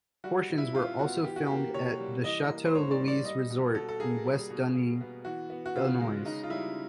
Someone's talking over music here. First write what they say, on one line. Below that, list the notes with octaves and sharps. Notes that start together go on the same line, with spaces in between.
Portions were also filmed at the Chateau Louise Resort in West Dundee, Illinois.
G3 F#4
A#2
E4
A#2 F4
B3 F#4
E3 G4
F#4
A#3 G4
C3 C#5
G3
E3 D#5
A#3
C5
G#2 C#5
D5
G3
D5
G3 D#5
B2
B2 A4
A4
A#3 G#4
G3
B2
B2
B3
E3 F#4
B3
F#4
C#3 F4
G#3
C#3 D#4
F4
G3 E4